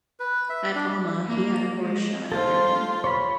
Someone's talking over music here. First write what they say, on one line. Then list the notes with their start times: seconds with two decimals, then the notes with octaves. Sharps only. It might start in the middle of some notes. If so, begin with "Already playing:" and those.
At Alma he had a horse shot under him.
0.20 B4
0.50 E5
0.75 D4
1.26 A#3
1.76 G#3
2.32 F4 A4 C5
3.04 C#5 B5